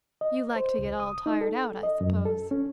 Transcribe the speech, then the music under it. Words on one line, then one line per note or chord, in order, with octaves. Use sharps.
"You like to get all tired out, I suppose."
D#5
C5
C#2
D#6
D#4
A4
D#5
F#2
A4
C#4